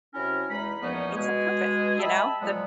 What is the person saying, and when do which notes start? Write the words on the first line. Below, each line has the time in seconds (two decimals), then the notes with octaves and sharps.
"It's a purpose," you know? The
0.14 C3 F#3 C#4 E4 A#4
0.49 E2 E3 G#3 D#4 B5
0.82 E2 A#2 F3 B3 C#4 D#4
1.15 B2 G#3 G#4
1.99 G4 D#5 E5 A5 B5 E6
2.41 A#2 F3 F#3 G#3 B3